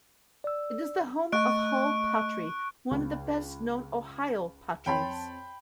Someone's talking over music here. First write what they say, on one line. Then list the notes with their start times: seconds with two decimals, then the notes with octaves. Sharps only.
It is the home of Hull pottery, one of the best known Ohio potteries.
0.44 D5 E6
1.32 A3 D#5 C#6 F#6 D7
2.91 C#2
4.86 F2 C#5 G5 A5 B5 C6